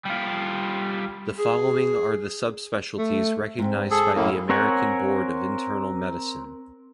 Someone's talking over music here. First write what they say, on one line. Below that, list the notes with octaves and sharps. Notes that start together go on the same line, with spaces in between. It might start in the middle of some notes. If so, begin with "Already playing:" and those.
The following are the subspecialties recognized by the American Board of Internal Medicine.
G3 F4
G#4
A3
G#2 C4
G#4 A4
F#2 A2 A#3
C4 A#4 C#5 F#5 G#5